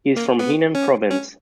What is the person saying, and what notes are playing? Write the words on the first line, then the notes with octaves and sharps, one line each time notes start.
He is from Henan province.
A#3
B3
C#4
C#4